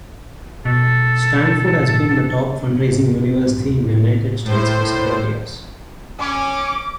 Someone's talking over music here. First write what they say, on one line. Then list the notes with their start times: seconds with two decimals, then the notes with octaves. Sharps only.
Stanford has been the top fundraising university in the United States for several years.
0.65 B2 A4
4.44 A2 C5
6.19 C#4 D6